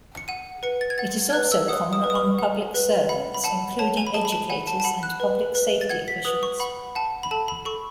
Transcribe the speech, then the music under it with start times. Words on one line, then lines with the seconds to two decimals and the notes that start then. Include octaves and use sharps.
It is also common among public servants including educators and public safety officials.
0.17 C#7
0.28 F#5 D#7
0.63 B4 C#7
0.81 A6
0.90 G#6
0.98 F#5 A6
1.30 G#6
1.33 B4 F#6
1.52 E6
1.68 F#5 D#6
1.93 D#6
2.04 B4
2.10 D#6
2.15 C#6
2.38 F#5
2.74 B4
3.09 F#5 B5
3.34 B5
3.44 F#5 A5
3.79 C#5 A5
3.97 G#5
4.07 B5
4.14 G#4 A5
4.25 B5
4.32 A5
4.50 F#5 G#5
4.67 A5
4.80 A5
4.84 F#5 B5
5.03 F#6
5.20 B4
5.55 B4
5.81 A6
5.89 F#5 G#6
6.08 B6
6.25 B4 D#6
6.43 C#6
6.60 F#5 B5
6.95 F#5 A5
7.23 B5
7.31 A4 A5
7.48 B5
7.65 A4 C#6